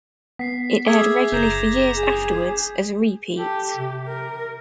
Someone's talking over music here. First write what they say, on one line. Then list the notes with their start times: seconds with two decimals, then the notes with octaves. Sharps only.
It aired regularly for years afterwards as repeats.
0.39 B3 B6 C7
0.85 G#4 E5 D6 G#6
1.33 F#1 A#5 G6 G#6 E7
1.97 G#4
3.39 G4 A4
3.76 C3
4.07 A#4